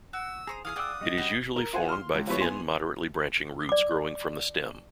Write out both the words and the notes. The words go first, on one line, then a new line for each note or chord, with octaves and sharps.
It is usually formed by thin, moderately branching roots growing from the stem.
F#4 E6
G#4 C5 A#5 C#6 D#6
E3 E4 G#4 F5 C6 D#6 F6
F4 G#4 D5 F#5 G5 D6 E6
G3 C#4 F#4 D#5
B3 E4 G4
A#4
F4 C5 F#5 G#5
C6 F6
C#2
F3 G3 B3 E4 B4 C#5
B3 G#5 C6
D5 D6